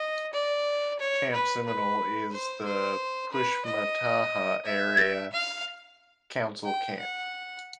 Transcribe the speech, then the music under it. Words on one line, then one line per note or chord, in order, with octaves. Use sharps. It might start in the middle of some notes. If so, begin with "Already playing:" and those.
Camp Seminole is the Pushmataha Area Council camp.
Already playing: D#5
D5
C#5
B4
B4
C5
C5
B4
D#5
E5
F5
G5
F#5